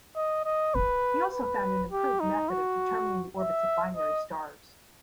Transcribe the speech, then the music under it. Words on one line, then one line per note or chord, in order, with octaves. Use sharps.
He also found an improved method of determining the orbits of binary stars.
D#5
D#5
B4
B4
G4
D#4
F#4
E5
D#5